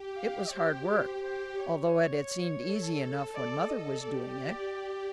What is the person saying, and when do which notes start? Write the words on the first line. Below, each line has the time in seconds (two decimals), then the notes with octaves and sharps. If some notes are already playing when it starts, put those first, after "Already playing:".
It was hard work, although it had seemed easy enough when mother was doing it.
Already playing: G4
0.16 F5
0.51 G4 C5
0.87 C5
1.22 G4 C5
1.58 C#5
2.63 A4
2.98 A4
3.34 A4 D5
3.68 A4 D#5
4.04 G4 D5